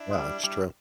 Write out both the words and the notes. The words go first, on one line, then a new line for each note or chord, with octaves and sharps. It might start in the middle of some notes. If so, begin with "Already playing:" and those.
Yeah, it's true.
Already playing: D4 E4
G#3
G3
G3